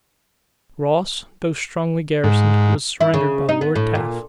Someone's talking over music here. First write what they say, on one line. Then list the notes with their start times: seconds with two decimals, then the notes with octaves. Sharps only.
Ross, though strongly garrisoned, was surrendered by Lord Taffe.
2.24 G#2
3.01 E4
3.14 C#3
3.49 D#4
3.61 B3
3.75 A2
3.95 A#2